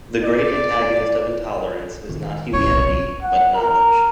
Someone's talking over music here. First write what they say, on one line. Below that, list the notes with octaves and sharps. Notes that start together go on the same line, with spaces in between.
The great antagonist of intolerance is not humanity, but knowledge.
D5
D#3
D1 C#4 C#5
B1
F#3
F#5
A#4